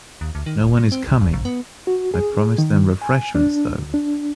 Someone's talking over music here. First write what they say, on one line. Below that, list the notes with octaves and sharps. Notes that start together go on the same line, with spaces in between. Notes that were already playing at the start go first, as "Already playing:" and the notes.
No one is coming! I promised them refreshments, though.
D#2
D2
D#3
D1
A#2
C4
C2
D1
A#1
B3
F#4
G#4
D#3
G#5
D4
D2
D4